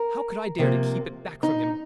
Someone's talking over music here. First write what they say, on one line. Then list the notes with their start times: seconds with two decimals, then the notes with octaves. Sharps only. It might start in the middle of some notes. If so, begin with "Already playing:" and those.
How could I dare to keep it back from him?
Already playing: A#4
0.59 C3 F3 A#3
1.43 D#4